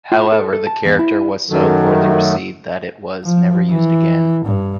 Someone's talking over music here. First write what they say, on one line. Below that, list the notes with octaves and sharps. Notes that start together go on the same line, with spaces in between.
However, the character was so poorly received that it was never used again.
F4
A4
A4
A5
E2
E4
F#2 D#3 F#3 A3
F3
E3
G2